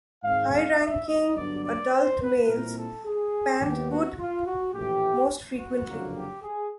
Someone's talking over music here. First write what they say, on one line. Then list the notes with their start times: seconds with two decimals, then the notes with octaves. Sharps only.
High-ranking adult males pant-hoot most frequently.
0.23 G#2 D#3 G#3 C4 F5
0.52 F5
0.80 E5
1.08 D#5
1.36 G2 D3 F#3 B3 D4 D5
1.65 D5
1.93 C5
2.21 B4
2.48 A#2 G3 C4 E4 A#4
2.77 A4
3.05 G#4
3.61 D#2 D#3 G3 B3 G4
3.90 F#4
4.18 F4
4.46 F#4
4.74 A#1 A2 E3 A3 G4
5.59 F#4
5.87 F#1 F2 D3 F#3 A#3
6.15 G4
6.43 G#4